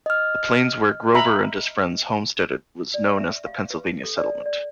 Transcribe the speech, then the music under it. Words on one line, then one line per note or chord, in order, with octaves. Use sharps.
The plains where Grover and his friends homesteaded was known as the Pennsylvania Settlement.
D#5 F6
E5 A#5 B5
D5
E5
F5
B4
A4
D5
D5